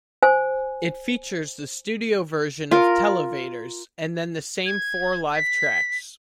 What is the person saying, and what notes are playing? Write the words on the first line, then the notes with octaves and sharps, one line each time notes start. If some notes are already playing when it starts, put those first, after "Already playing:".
It features the studio version of "Televators", and then the same four live tracks.
C5 G#5
F4 A#4
G#6
B6